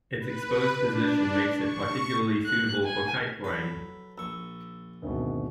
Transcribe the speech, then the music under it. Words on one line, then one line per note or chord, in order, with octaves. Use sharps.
Its exposed position makes it particularly suitable for kite flying.
B4
D4
C#6
F#6
G#5
F#3 A4 B4
A#1 C#6 E6
G#1 D2 B2